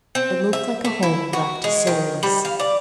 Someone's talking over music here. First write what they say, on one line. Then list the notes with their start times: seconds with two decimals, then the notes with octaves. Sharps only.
It looked like a home left soulless.
0.15 C4
0.53 E5
0.85 A3
1.03 E4
1.33 F#4
1.64 G#3
1.87 D#3
2.23 G3
2.45 F5
2.60 D5